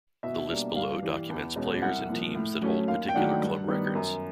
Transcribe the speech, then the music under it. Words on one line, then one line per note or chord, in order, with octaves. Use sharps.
The list below documents players and teams that hold particular club records.
B2 E5
G3 A#3 D4
G2 F5
E3 G3
E2
B2 G#3 C#4
C2 F#5
A#2 F3
A2
F#3 A3 C#4
D#2 F5
G5
D#3 F#3 A3 D4 F#5
G2
D#3 G3 B3
F#2